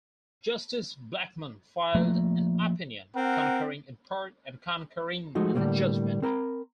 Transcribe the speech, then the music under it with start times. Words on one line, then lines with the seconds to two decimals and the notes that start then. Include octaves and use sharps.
Justice Blackmun filed an opinion concurring in part and concurring in the judgment.
1.94 F3 A3 A#3
3.16 C4 A#4 F#5
5.35 F3 G#3 A3 D#4 F#4
5.55 A2 D3 D#3 F#3 G3 A#3
6.22 C4 A#4 A#5 B5